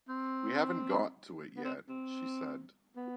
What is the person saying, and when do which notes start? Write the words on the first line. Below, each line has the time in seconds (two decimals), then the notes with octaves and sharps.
"We haven't got to it yet," she said.
0.09 C4
1.57 B3
1.64 C4
1.89 C4
2.96 B3